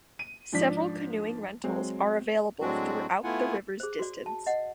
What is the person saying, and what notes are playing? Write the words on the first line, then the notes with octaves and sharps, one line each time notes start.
Several canoeing rentals are available throughout the river's distance.
D#7
G#2 F3 D4 D5 B6
F#3 G#3 C4
A2 F#3 G#3 C4 D4 F#4
A3 B3 E4 F4 F#5 G#5
G#4 C5
F#4 D5
A5
D#5 F#5